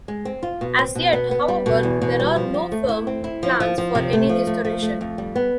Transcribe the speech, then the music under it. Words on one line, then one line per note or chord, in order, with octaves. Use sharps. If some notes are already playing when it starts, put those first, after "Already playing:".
As yet, however, there are no firm plans for any restoration.
G#3
C4
F4
B2
C4
B2
B3
B3
G3
B2
E2
B2
G3
F3
C4
A3
E4
C4
E4
F3
F3
F3
C3
A3
F3
A3
F3
A3
F2
G3
B3